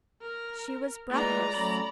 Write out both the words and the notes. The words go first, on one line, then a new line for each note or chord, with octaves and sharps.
She was breathless.
A#4
A2 G#3 A#3 B4 D5 A#5
F#3 A3 C#4 B5